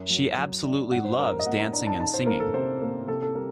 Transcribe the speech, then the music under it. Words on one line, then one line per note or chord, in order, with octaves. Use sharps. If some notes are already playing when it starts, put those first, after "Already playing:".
She absolutely loves dancing and singing.
Already playing: F#2
F#3
F#3
D4
G2 F#5
C5
G2 A#4
A#4
D#5
A#3 F#5
A#5
D4 A#5
A5
D#4 A5
C5
A#3 A#4
A4
C3 C5
A#3
C3 A4
A4
G3 A#4